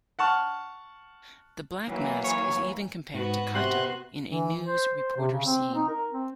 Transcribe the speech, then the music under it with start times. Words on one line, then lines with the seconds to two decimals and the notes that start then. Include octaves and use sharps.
The Black Mask is even compared to Kato in a news reporter scene.
0.19 F#5 A5 C#6 F6
1.86 E3 F#3 A#3
2.24 C#5
3.14 G#2 B3 F#4
3.55 C3 C6 F#6
4.30 E3
4.64 C5
4.96 C5
5.17 C3
5.32 C#3
5.46 C4
5.75 D#4
5.88 A#4
6.11 C4